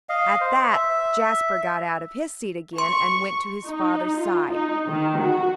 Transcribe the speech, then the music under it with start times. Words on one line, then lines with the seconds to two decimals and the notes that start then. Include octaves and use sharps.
At that Jasper got out of his seat again and went to his father's side.
0.09 D#5 F5
0.41 C5
0.73 E5
2.78 C6 C#6
3.65 D#4
4.17 F4
4.50 D#4
4.88 D#3
5.20 F#4